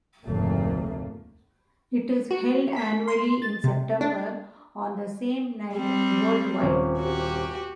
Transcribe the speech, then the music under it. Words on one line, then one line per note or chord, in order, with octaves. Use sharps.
It is held annually in September on the same night worldwide.
F1 D2 G#2 A3 A#3
F#4
B6
C6
A6
C3
D4
G3 C4
D#1 C4 C#4
F#4 G4